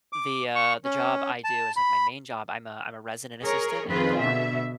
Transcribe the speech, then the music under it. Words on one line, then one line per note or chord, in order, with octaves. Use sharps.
the, uh the job I do is like my main job, I'm a I'm a resident assistant in a dorm.
D6
C#6
C#4
A5
B5
G#4 A#4 C#5
F2 D#3 C4 F4 G#4 B4
B2 D3 E5